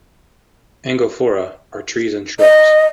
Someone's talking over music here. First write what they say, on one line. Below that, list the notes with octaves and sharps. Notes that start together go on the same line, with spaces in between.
"Angophora" are trees and shrubs.
D#5